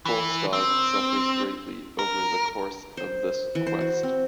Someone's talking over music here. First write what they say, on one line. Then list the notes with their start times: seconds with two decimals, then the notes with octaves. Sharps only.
Volstagg suffers greatly over the course of this quest.
0.06 E3
0.53 C4
1.99 A#4
2.97 C5
3.55 E3
3.67 C5
3.81 F#4
4.03 C4